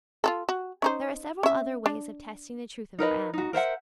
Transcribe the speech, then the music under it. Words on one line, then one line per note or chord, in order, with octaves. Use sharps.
There are several other ways of testing the truth of our annals.
F4 F#4 A4
F#4
C#4 D#4 C5
C#4 E5
D4
D#4 A#4 B4 D#5
D#4 F#4
A#4 C5 E5 F#5